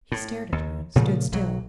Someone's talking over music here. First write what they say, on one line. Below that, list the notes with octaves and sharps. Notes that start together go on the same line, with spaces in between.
He stared at her and stood still.
A2
D#2
A#2 C#3 F3 A3
B1 F#3